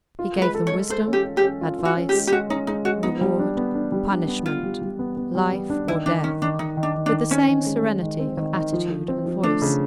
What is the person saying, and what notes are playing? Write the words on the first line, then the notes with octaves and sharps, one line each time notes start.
He gave them wisdom, advice, reward, punishment, life or death, with the same serenity of attitude and voice.
F4
G#3 B4
A4
C#5
G#3
A4 C5
C#4
G4
C#4
G4
C#4
F4
F4
F#4
C#4
G4
G#3
G4
G#3 F#4
C#4 D#4
G#3 D#4
G#3 F#4
B3 D#4
G3
D4
B3
D4
G3
D4
B3
B3 F4
G3
G3
B3
B3
G3
B3
D4
D#3 E4
D#3 D4
D#3 C#4
D#3 D4
D#3 D#4
D#3
D4
D#3
D4
D#3
C4 C#4
D#3
G#3
G#3
D#3
C4
D#3
D#3
F3
F3
C4
F3
A3 D4
C#3